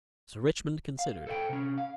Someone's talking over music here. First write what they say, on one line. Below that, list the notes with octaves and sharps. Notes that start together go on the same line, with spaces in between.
Sir Richmond considered.
F5
A4 C5 E5 G5
C3 C#4
F5